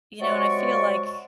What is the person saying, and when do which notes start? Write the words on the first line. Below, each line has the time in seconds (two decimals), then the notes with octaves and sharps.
You know, and I feel like
0.21 C3 F#3 G#3 D5 C#6